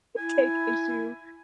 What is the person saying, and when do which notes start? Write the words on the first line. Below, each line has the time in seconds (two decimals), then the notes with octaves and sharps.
take issue
0.18 E4 G#5